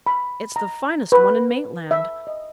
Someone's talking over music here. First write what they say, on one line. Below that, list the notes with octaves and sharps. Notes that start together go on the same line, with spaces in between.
It's the finest one in Maitland.
B5
A#5
B4
E5
D#5